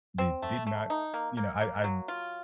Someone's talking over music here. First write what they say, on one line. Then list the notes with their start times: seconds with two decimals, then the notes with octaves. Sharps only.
that did not you know, I I
0.18 C4
0.42 A3
0.67 A3
0.90 D#4
1.14 A#3
1.37 A#3
1.61 A#3
1.84 F#3
2.08 F4